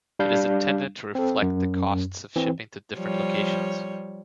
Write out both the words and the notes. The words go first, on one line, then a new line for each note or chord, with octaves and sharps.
It is intended to reflect the costs of shipping to different locations.
G3 D4 F5 G6
C4 A4
F#2
E3 C4
F3 G3 C#5